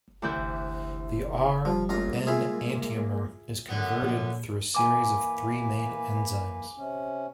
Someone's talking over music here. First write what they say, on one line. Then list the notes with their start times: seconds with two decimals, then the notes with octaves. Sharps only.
The R-enantiomer is converted through a series of three main enzymes.
0.22 D2 C3 E3 E4 B4 G6
1.65 F3 G3
1.89 A1 G#3 A#3 F4 A#5
2.27 E4 F4 G#4
3.68 F#2 D3 B3
4.02 A#2 F3
4.75 E3 A#3 B4 G#5 D6
6.77 C3 C#4